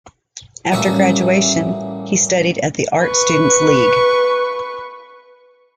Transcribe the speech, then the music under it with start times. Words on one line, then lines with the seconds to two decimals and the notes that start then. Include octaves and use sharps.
After graduation, he studied at the Art Students League.
0.72 A1 A#2 C#3 G3 F#4 E5
3.02 B4 C#6